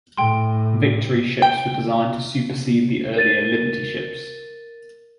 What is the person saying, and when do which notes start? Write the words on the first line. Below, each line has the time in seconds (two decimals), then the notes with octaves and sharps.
Victory ships were designed to supersede the earlier Liberty ships.
0.17 A2 G5 C6
1.42 G5
3.16 A#4 A6 D#7